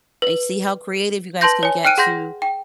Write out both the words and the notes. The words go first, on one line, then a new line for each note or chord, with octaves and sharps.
and see how creative you guys can get to,
B4
B4 A5 C6 G6 A#6
C#5 G#5
G5 F6 F#6 D7 D#7
G#4 F#5 C6 G6 A#6
G5